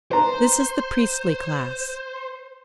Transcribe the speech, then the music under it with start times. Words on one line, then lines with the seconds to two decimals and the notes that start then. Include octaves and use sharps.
This is the priestly class.
0.11 B4 C5 A#5